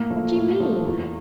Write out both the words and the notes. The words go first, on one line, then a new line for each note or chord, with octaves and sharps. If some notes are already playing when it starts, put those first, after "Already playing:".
"What do you mean?"
Already playing: A2 A#3
F3 A3
A2
F3 A3
E2